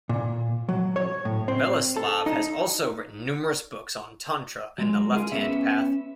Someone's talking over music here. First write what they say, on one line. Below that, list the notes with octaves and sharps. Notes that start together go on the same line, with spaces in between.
Veleslav has also written numerous books on Tantra and the Left Hand Path.
A#2
F#3
C#5
A2
C4
A4
D#4
F#3 G#3
F4 G#4 A#4
B3 C#4 E5